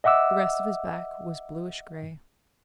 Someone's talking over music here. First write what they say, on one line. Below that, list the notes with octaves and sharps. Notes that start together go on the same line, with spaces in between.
The rest of his back was bluish-gray.
D#5 E5 F#5 D6 E6